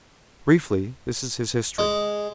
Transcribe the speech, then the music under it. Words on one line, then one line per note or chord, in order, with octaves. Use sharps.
Briefly, this is his history.
G#3